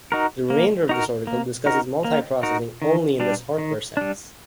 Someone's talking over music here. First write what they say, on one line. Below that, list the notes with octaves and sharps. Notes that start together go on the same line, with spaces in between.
The remainder of this article discusses multiprocessing only in this hardware sense.
D#4 F#4 A#4
A#3
D#4 F#4 A#4
A#3
D#4 F#4 A#4
A#3
D#4 F#4 A#4
D#3
G3 D4
D#3
G3 D4